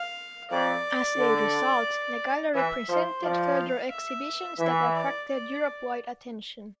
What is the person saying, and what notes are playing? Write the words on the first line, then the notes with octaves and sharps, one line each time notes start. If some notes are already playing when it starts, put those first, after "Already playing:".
As a result, the gallery presented further exhibitions that attracted Europe-wide attention.
Already playing: F5
F2 D5
D3
E3 E5
F3 C5
F3 D5
F5
E5
E3 E5
D5
D5